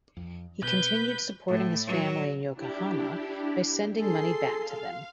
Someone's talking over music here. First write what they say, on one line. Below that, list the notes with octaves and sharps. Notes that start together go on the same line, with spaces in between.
He continued supporting his family in Yokohama by sending money back to them.
F2
B2 B4 G6
A2
F#3
D4 E4 G4
G#4 A4 C6 C7
F5